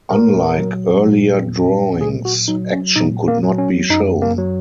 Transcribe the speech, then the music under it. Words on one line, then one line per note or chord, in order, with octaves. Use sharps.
Unlike earlier drawings, action could not be shown.
A#2 A#4
F#3
A#2
F#3
A#2 G#4
F#4
F#3 D#4
C#4
A#2 D#4
A#3
F#3
C#4
F#2 D#4
A#3
F#3